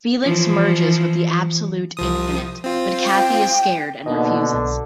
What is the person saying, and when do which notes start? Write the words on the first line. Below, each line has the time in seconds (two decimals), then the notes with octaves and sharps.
Felix merges with the Absolute Infinite, but Kathy is scared and refuses.
0.23 E3 F3
1.97 C2 F3 D#6
2.64 C4 F4
3.08 G5
4.06 B2 D3 A#3 D#4 D#5
4.54 B1